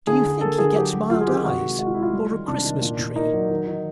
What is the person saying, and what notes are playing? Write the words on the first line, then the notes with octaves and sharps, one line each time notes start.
Do you think he gets mild eyes, or a Christmas tree?
D3 G#4
D3
A#3 A4
D3 G#4
F#3 G4
F#3
F#3 F4
G#4
D#3 G4
C3 F#4
G#3
G#3 F#4
F4
G#3 E4
F4
G3
D#3
C3 D4
D#3
A#2
A#2
A#3 D#4
F#3
D#3
D#3